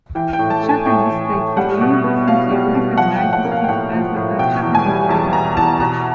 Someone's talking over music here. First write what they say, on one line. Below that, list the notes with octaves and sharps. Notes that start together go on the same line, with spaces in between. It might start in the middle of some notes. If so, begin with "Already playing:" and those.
The Japanese takes the lead, since he recognizes it as a Japanese base.
E3 G5
G5
A2
A5
A3
G#5
A2 G5
E3
A2
G3 F#5
B2
B3
B2 F5
G3
B2
F3 F#5
G5
A2
F#5
A#3
F5
G5
A2 F#5
F3
A2
B2 G5
E2
G#5
G3
E2 A5
B2 A#5
E2 A5
B2 A#5